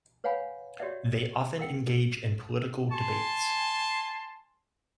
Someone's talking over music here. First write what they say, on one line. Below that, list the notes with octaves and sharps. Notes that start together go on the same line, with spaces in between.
They often engage in political debates.
B4 C#5 F5 F#5 G#5 B5
F#4 G4 C#5 D5 E5 F#5
A#4 F#5 G5
G#5 A5 C6